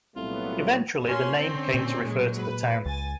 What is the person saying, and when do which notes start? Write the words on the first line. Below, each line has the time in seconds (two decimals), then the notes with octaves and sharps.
Eventually the name came to refer to the town.
0.16 C2 A#2 F#3 A3 B3 F4
1.04 A#2 C#4 C6
1.39 D3 C4 C#4
1.74 A#2
2.07 F#3 G#3
2.37 B4
2.86 C#2 G#5 A6